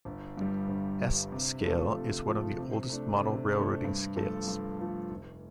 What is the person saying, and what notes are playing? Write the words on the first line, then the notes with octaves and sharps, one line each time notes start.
S Scale is one of the oldest model railroading scales.
G1
G2 G3
G1
G2 G3
C3
F3 A3 F4 A4
C3
F3 A3 F4 A4
C3
A3 D4
C3
A3 D4
G2
F3 A3 F4 A4
G2
F3 A3 F4 A4
F1